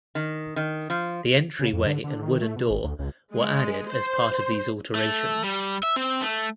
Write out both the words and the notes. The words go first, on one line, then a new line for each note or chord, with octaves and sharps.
The entry way and wooden door were added as part of these alterations.
D#3
D#3
F3
C#3
F2
D3
D3
D#3
A3
B2
G#1
D2
C#2
G#3
C5
A3
G3
E5
C4
A3